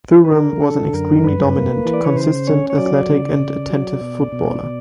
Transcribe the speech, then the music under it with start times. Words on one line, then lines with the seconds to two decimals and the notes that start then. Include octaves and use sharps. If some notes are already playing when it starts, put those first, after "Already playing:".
Thuram was an extremely dominant, consistent, athletic and attentive footballer.
0.25 B4
0.32 D3 A#4
0.62 D3 A4
0.93 F#2 A#4
1.24 G2 B4
1.55 A#3
1.85 E3
1.93 D5
2.04 C#5
2.16 C#3 C5
2.47 C#4 C#5
2.70 C#5
2.78 F#3 D5
3.09 C#3
3.40 C#3
3.70 F#3
4.01 B2
4.32 B2
4.63 B2